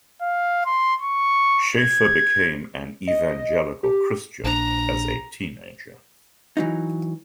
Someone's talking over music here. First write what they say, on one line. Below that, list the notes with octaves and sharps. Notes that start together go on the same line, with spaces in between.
Schaeffer became an evangelical Christian as a teenager.
F5
C6
C#6
G#6
D#5
G4
A#1 D4 A#5
E3 F#3 D#4